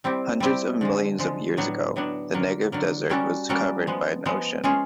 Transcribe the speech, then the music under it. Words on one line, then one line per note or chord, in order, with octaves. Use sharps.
Hundreds of millions of years ago, the Negev desert was covered by an ocean.
G3 C4 E4 G4
G3 C4 E4 G4
D3 F3 G#3
D3 F3 G#3
A2 F#3 B3 D4
A2 F#3 B3 D4
D3 F#3 A#3
D3 F#3 A#3
G3 A#3 C#4 F#4 A4
G3 A#3 C#4 F#4 A4
F3 G#3 B3
F3 G#3 B3
G#3 C#4 F4 G#4